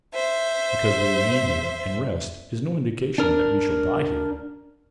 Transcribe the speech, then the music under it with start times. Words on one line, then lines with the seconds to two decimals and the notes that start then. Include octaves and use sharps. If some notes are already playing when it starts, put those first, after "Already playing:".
Because we remain here and rest is no indication that we shall die here.
0.14 C5 E5
3.18 D4 A#4